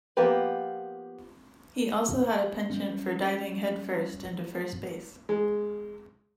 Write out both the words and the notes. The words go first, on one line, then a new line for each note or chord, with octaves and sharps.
He also had a penchant for diving headfirst into first base.
F3 A#3 B3 G4 B4
G3 B3 C#4
G#3